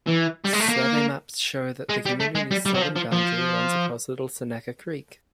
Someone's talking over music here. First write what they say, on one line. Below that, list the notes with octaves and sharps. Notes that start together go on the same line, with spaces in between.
Survey maps show that the community's southern boundary runs along Little Seneca Creek.
E3
G3
G#3
A3
A#3
G#3
G3
A3
G#3
G3
G3
F#3
F3
F3
F3